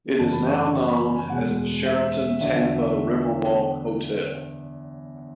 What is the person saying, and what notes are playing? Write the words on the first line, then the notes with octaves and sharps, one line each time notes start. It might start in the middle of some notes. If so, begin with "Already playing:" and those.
It is now known as the Sheraton Tampa Riverwalk Hotel.
F#2 C#3 E3 A3 A5
B5
C#6
D6
C#6
B5
G#5
E2 B2 G#3 F#5
E5
E2 D3 F#3 E5